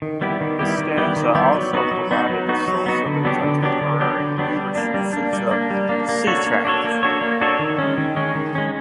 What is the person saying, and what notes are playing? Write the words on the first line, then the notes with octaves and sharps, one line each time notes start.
This stanza also provided the source of the contemporary English usage of "sea change".
D#3
G3 B3 E4 G4
D#3
G3 B3 E4 G4
D#3
G3 B3 E4 G4
D#3
G3 B3 E4 G4
F#3
B3 D#4 F#4
F#3
B3 D#4 F#4
F#3
B3 D#4 F#4
F#3
B3 D#4 F#4
D3
F#3 B3 D4 G4
D3
F#3 B3 D4 G4
D3
F#3 B3 D4 G4
D3
F#3 B3 D4 G4
G3
A#3 D4
G3
A#3 D4
G3
A#3 D4
G3
A#3 D4
A#3
D4 F#4 A4 C#5
A#3
D4 F#4 A4 C#5
A#3
D4 F#4 A4 C#5
A#3
D4 F#4 A4 C#5
D#3
G#3 C#4
D#3
G#3 C#4
D#3
G#3 C#4